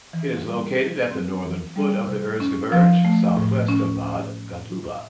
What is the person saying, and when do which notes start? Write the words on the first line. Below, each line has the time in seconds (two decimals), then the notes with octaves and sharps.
It is located at the northern foot of the Erzgebirge, southwest of Bad Gottleuba.
0.13 E3
0.46 G3
0.79 C3
1.11 C4
1.44 E3
1.76 G3
2.07 C3
2.40 C#4
2.72 F3
3.05 A3
3.37 A2
3.68 C#4